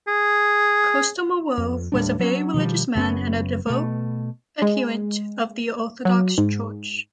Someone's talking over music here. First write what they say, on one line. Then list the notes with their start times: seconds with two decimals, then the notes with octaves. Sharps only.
Kostomarov was a very religious man and a devout adherent of the Orthodox Church.
0.08 G#4
1.58 F2
1.92 D#2 A2 G3 D4
2.19 F#3 C4 C#4
2.54 B2 D#3 F3 G3
2.95 F#1 F#2 B3 C#4
3.66 B2 A3
4.62 G#3
6.05 F#3
6.38 G#2